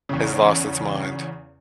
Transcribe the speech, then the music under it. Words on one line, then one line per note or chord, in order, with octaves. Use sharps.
has lost its mind.
E2 C#3